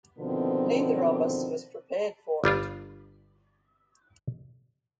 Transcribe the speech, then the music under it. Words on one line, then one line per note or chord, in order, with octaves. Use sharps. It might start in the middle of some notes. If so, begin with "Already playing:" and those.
Neither of us was prepared for it.
B2 D3 D#3 F3 B3 C4
G1 G3 D4 F4